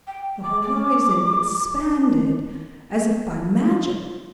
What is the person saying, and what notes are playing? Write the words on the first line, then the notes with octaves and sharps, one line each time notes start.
The horizon expanded as if by magic.
G5
D6
D6